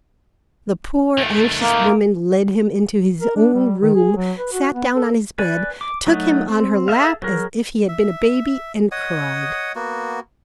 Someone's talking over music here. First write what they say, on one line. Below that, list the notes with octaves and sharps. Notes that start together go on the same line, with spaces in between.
The poor, anxious woman led him into his own room, sat down on his bed, took him on her lap as if he had been a baby, and cried.
D#3 A3
A#3
A#4
D4
G3
D#3
G#4
F#3
B4
F#4
B3
A4
B4 D5 G#5
D6
F#3 A3 D#4 F#4
C4
G#4 A4 E5 F5
F#3 G#4 A#4
E5
C#5 D#5 F#5 D#6
A#3 B3 F#4